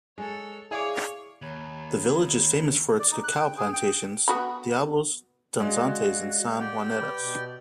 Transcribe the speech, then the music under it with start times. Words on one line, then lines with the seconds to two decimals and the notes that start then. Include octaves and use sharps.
The village is famous for its cacao plantations, Diablos danzantes and San Juaneras.
0.18 G#3 A4 C#5
0.71 E4 G#4 C#5 D5 F5 D6
1.42 D#2 C#5 A#5 B5
2.99 D5
3.12 D#4
3.24 F#6
3.36 G5
3.57 G#4
3.73 G5
4.28 B3 F#4 B5
5.60 G#3 F#4 D5 D#5 F5
6.60 G4 D5 F#5 G5
7.01 B4 B5
7.17 B2